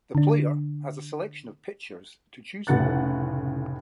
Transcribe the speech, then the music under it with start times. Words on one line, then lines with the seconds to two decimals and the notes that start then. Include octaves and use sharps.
The player has a selection of pitchers to choose from.
0.15 D3 D4
2.67 F1 A2 C#3 F#5 F#6 A6